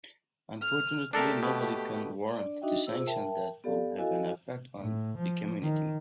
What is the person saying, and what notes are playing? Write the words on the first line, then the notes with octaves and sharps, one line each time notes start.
Unfortunately, nobody can warrant the sanctions that will have an effect on the community.
F6
A3 D4 G4 A4 A#4
B2
D4 D5
D4 D#4 F#4 D#5 E5 G5
F4 G#4 C5 E6
A#4 E5 G5 A5
B3 G4 A4 D5 F5
E4 F#4 A4 D#5 F5 G#5
A2
F3
D#3